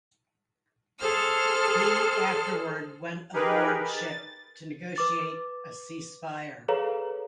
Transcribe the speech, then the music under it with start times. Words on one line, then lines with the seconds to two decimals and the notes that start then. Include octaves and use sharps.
He afterward went aboard ship to negotiate a cease fire.
0.99 G#4 A4 C5 F6
3.33 D#4 G4 G#4 A#4 B4
3.87 A6
4.96 B4 D6 A6
6.68 G#4 A4 B4 C#5 F5 A#5